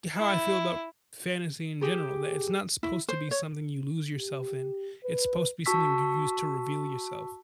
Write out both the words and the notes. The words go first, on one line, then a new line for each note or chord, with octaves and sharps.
how I feel about fantasy in general, that it's not supposed to be something you lose yourself in, it's supposed to be something you use to reveal yourself.
E4
G4 G#4
E4
C5
C#5
G4
B4
F#4 A5 C#6 E6 B6